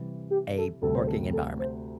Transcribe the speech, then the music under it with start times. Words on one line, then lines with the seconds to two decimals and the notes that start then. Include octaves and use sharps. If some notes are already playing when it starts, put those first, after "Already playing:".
a working environment.
Already playing: C3 E3 G3
0.30 G4
0.57 A4
0.82 D2 C3 G3 A4
0.95 C5
1.07 A4
1.33 A4
1.59 C5